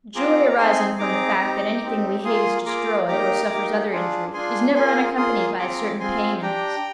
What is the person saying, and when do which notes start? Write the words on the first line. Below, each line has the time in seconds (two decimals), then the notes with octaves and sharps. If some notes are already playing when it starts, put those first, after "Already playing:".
Joy arising from the fact, that anything we hate is destroyed, or suffers other injury, is never unaccompanied by a certain pain in us.
0.15 C4 F4 G#4 A#5 D6
0.49 A#5
0.57 C4 D#4 G#4 G#5 C6
0.99 C4 D#4 G#4 A#5 D6
1.41 C4 D#4 G4
1.82 C4 D#4 G4
2.24 A#3 F4 G#4 C6 D#6
2.66 A#3 F4 G#4 A#5 D6
3.08 A#3 D#4 G4 A#5 D6
3.50 A#3 D#4 G4
3.91 D4 F4 G#4
4.33 D4 F4 G#4 G#5 C6
4.75 A#3 F4 G#4 G#5 C6
5.17 A#3 F4 G#4 C6 D#6
5.58 C4 F4 G#4 A#5 D6
6.00 C4 F4 G#4 G#5 C6
6.42 D4 G4 G5 A#5